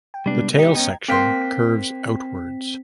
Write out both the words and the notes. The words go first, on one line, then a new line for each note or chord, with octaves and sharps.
The tail section curves outwards.
G5
C3 G3 G#3 B3 D4
D#4 G4 D#5
B3 C#4 G5 A#5 G#6
A#3 C4 G5 C6 B6